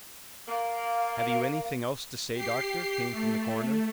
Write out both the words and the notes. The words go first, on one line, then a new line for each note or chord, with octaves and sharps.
"Have you anything else to say, doctor?" came from the coroner.
A#3 F5
G4 C7
A3